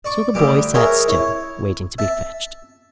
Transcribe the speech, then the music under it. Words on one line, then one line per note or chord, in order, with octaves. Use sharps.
So the boy sat still, waiting to be fetched.
D5 C#6 D6
D2 G3 G4 D6
G#4 A#4 C5 C#5 E5
E4 C#5
E5 A5